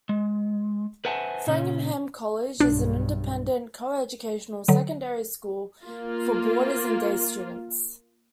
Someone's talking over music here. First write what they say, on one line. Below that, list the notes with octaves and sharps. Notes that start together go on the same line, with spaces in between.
Framlingham College is an independent, coeducational secondary school for boarders and day students.
G#3
B4 C5 E5 F#5 G#5 A5
A#2 C#3 C#4
B1 G2 D4
D3 F#3
A#3 F4